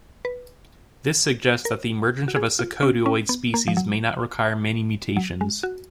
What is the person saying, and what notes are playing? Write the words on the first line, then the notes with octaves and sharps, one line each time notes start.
This suggests that the emergence of a secotioid species may not require many mutations.
B4
A#4
F#4
G#4
F4
C#4
C#4
B3
A#3
F3
F#3
F#3
G#3
F#4